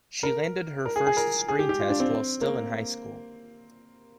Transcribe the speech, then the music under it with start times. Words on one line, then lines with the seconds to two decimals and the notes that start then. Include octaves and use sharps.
She landed her first screen test while still in high school.
0.23 A#4
0.86 A#4
0.96 G#4
1.07 G#4
1.17 A#4
1.48 G#4
1.59 G4
1.69 G4
1.80 F4
1.90 D4
2.00 C4
2.41 A#3